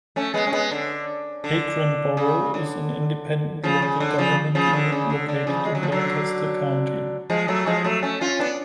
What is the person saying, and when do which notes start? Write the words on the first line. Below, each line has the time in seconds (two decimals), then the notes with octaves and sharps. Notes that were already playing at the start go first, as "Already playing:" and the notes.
Akron borough is an independent local government unit located in Lancaster County.
0.16 A3 C#4
0.34 G#3 B3
0.47 C#4
0.52 G#3 B3
0.71 D3
1.44 D3
2.17 C#3
2.54 D3
3.63 C#3 F3
3.82 C#3
4.00 D3
4.18 C#3 F3
4.55 C#3 F3
4.73 D3
4.92 C#3
5.10 D3
5.28 D3
5.47 C#3 F3
5.65 G#3
5.75 F#3
5.83 F3
5.92 D3 F#3
7.30 F3 G#3
7.48 F#3 A3
7.66 F3 G#3
7.84 F#3 A3
8.03 A3 C#4
8.21 C#4 F4
8.40 B3 D4